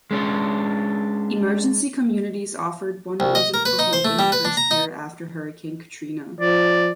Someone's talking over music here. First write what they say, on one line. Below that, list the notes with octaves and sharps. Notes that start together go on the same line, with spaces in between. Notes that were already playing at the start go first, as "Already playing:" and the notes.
Emergency Communities offered one reason for hope in the first year after Hurricane Katrina.
G#3 C#4 D4
C2
D#5
A#4
B4
D#4
C5
A3
G3
B4
D4
A#5
D#4
F3 D5